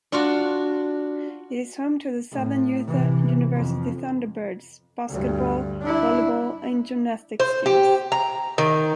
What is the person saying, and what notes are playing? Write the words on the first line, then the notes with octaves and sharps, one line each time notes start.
It is home to the Southern Utah University Thunderbirds basketball, volleyball and gymnastics teams.
D4 F4 F#4
A2
C3 E3
F2
D2 G2
D4 E4
C5
G4
A#5
D#3